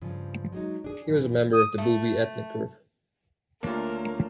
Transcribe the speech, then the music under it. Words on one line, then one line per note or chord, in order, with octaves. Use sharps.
He was a member of the Bubi ethnic group.
G2 C#3 F3
F#3 G#3 D#4
D4 G#4
F#2 A#2 E3
D#6
A3
D2 A#3 D4 F4 A#4 C#5